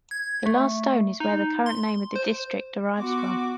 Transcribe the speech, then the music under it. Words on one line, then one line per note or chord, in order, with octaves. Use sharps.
The last stone is where the current name of the district derives from.
G#6
A3
D#4
C6
C5
B3 F#4 C6 D6